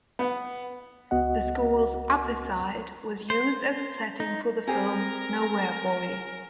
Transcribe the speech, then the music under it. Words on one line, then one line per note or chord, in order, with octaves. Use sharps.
The school's Upper Site was used as a setting for the film "Nowhere Boy".
B3
C#2 B3 F#4 D#5 F#5
C5
D#4
C4 G4 G#4 A#4 G#5 A#5